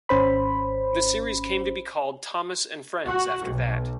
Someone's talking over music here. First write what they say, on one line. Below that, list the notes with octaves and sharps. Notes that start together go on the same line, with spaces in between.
The series came to be called Thomas and Friends after that.
G#1 C#4 C5 B5
F#4
B1